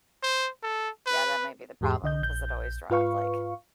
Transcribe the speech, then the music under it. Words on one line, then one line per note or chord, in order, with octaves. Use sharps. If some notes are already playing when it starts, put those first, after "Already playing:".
Yeah, that might be the problem, 'cause it always dropped, like
C5
A4
B4
E2 G#2 G4 G#4 C6
C2 D3 D#5 G6
A#1 G6
G#2 F4 B4 F5 C#6